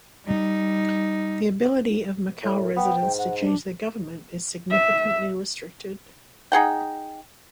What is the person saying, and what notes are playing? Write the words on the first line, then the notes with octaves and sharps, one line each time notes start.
The ability of Macau residents to change their government is significantly restricted.
G3 D#4
A2
A#4
B3 G5
G#2
F#5
D4
E5
D#4 G#4 F#5 G5